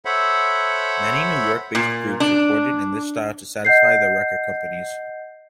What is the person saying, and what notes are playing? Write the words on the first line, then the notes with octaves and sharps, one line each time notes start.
Many New York-based groups recorded in this style to satisfy their record companies.
A4 C5 C#5 E5 F#5 B5
A#2
D4
D#5 F#5 G6 C7